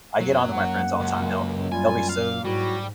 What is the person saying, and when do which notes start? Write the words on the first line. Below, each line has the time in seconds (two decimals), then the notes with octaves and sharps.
I get onto my friends all the time, they'll they'll be so
0.20 F#2 F#3 A#3
0.52 F#5
1.01 C#2
1.72 G3 F4 G#5
2.09 F5
2.44 G#2 F#3 G3 E4 F#4